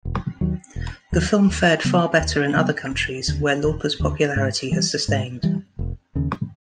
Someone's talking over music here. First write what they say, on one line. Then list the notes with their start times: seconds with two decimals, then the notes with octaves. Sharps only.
The film fared far better in other countries where Lauper's popularity has sustained.
0.05 E1
0.41 D#2 D#3 F#3
0.76 E1
1.12 D#2 D#3 F#3
1.49 D#2
1.84 C#3 F#3 B3
2.20 D#2
2.56 C#3 F#3 B3
2.92 E1
3.28 D#2 D3
3.64 E1
4.00 D#2 D3
4.36 G#2
4.71 E3 G3
5.08 G#2
5.43 E3 G3
5.79 F1
6.15 D#2 C#3